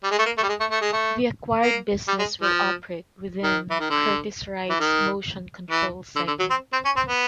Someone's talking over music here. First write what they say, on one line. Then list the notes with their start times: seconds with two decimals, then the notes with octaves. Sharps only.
The acquired business will operate within Curtiss-Wright's Motion Control segment.
0.04 G3
0.11 G#3
0.19 A3
0.26 A#3
0.38 A3
0.43 G3
0.49 G#3
0.60 A3
0.71 A3
0.82 G#3
0.93 A3
1.62 A#3
2.08 G3
2.19 G#3
2.42 F3
3.44 D#3
3.71 E3
3.80 D#3
3.90 D3
4.70 E3
4.80 D#3
5.71 E3
6.16 D3
6.27 D3
6.40 F#3
6.51 C4
6.73 C4
6.85 C#4
6.97 C4
7.08 B3